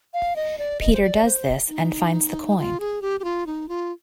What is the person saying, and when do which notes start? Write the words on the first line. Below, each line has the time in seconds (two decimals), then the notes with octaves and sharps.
Peter does this and finds the coin.
0.14 F5
0.36 D#5
0.58 D5
0.80 D#5
0.93 C5
1.02 D5
1.25 C5
1.69 D#4
2.57 F4
2.80 G#4
3.02 G4
3.20 G4
3.24 F4
3.46 D#4
3.69 F4